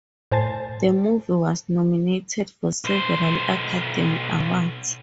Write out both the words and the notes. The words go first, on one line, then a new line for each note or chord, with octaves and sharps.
The movie was nominated for several Academy Awards.
A2 C5 G#5 A5 A6
B1 C5